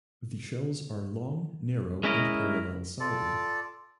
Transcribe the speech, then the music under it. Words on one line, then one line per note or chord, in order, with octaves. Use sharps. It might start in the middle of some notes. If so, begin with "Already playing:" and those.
The shells are long, narrow, and parallel-sided.
G#3 C#4 E4 A#4 D#5
F4 A4 D5